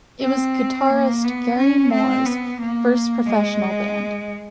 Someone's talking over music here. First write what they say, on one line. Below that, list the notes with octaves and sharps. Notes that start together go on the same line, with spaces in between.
It was guitarist Gary Moore's first professional band.
C4
A#3
B3
C#4
C4
B3
A#3
G#3